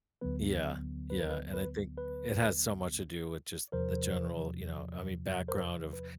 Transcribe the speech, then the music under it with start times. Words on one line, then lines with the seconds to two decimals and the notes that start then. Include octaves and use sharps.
Yeah, yeah, and I think it has so much to do with, just, the general, you know, I mean, background of
0.21 D2 D3 F#3 B3 B4
1.10 B4
1.20 A#4
1.30 B4
1.54 B4
1.98 B4
3.72 E2 C3 F3 A#4 C5
5.48 A#4 C5
5.93 B4